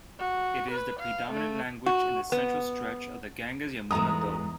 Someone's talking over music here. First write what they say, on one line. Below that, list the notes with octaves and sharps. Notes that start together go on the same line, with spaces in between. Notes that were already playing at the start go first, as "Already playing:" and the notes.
It is the predominant language in the central stretch of the Ganges-Yamuna Doab.
F#4
B4
F5
A3
F#4
B3
E2 G#2 E3 G#3 B3 A4 A#5 D#6